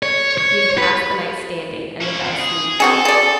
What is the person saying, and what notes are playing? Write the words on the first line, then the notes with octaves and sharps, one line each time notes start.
He had passed the night standing, and without sleep.
C#5
C#5
B4
C#4 E4
E2 C4
G#4
C4 F#4 G#4 A4
G#4 D5